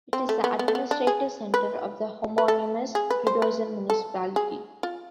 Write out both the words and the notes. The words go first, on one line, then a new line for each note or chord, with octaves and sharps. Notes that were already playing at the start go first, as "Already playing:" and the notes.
It is the administrative centre of the homonymous Rudozem Municipality.
C4
A3
B3
B3
A3
B3
D4
G#4
B4
B4
A4
G#4
B4
C5
B4
A4
G#4
F4